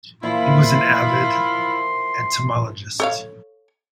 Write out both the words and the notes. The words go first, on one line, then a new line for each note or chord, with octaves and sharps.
He was an avid entomologist.
A#2 E3 F3 E4 F4 B5 C6
A4 C#5 F5